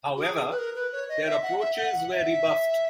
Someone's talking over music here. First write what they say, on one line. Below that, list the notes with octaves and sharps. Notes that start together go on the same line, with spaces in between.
However, their approaches were rebuffed.
F#4
G#4
B4
A#4
B4
C#5
D#5
E5
F#5
E5
F#5
F#5
E5